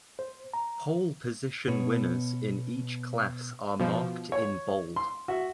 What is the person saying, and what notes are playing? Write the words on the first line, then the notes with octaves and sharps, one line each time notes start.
Pole position winners in each class are marked in bold.
C5
A#5
B2 C#5
B2 F3
C#5
C6
F#4 E5